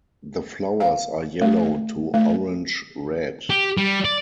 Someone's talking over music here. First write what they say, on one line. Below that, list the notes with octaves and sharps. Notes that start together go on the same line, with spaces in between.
The flowers are yellow to orange-red.
F5
A3
A3
G4
G3
D5